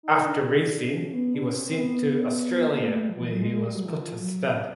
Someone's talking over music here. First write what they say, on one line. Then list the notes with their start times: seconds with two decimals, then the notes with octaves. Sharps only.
After racing he was sent to Australia where he was put to stud.
0.03 D#4
0.25 D4
0.91 C#4
1.13 B3
1.34 D4
1.45 C#4
1.56 C4
1.67 C4
1.78 B3
2.66 A#3
2.87 A3
3.09 F3
3.20 E3
3.31 F#3
3.42 G#3
3.53 G#3
3.64 G3
3.75 F#3
3.86 E3
3.96 F3
4.18 F#3